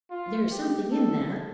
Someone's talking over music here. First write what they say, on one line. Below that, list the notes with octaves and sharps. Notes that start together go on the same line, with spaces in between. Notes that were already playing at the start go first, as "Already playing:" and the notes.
There is something in that.
F4
G4
A4